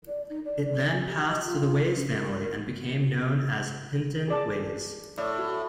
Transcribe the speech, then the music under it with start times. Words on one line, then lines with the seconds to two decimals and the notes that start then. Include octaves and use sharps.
It then passed to the Wase family and became known as Hinton Wase.
0.08 D5
0.30 D#4
0.45 D5
0.64 D5
0.88 G#5
1.06 G4
1.28 D#5
1.45 F4
1.95 C#4
2.10 A#4
2.39 A#4
4.28 G#4 D5 A5
5.18 A2 D5
5.38 F#4